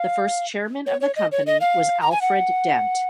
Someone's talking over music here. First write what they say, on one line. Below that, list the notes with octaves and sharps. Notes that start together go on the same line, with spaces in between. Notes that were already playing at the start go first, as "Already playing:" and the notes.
The first chairman of the company was Alfred Dent.
Already playing: F5
C#5
C#5
D#5
C#5
D#5
F5
A#5
G#5
F#5